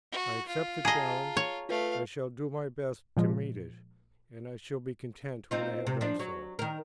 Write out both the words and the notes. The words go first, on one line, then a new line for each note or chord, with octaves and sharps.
I accept the challenge; I shall do my best to meet it, and I shall be content when I have done so.
F#4
F4
G#4 D#5 A5 A#5 C7
C#5
A3 F4 B4 F5
A#2 F3 G#3
C4 D#4 F4
C3
F3 D4
F#3
D#3 A#4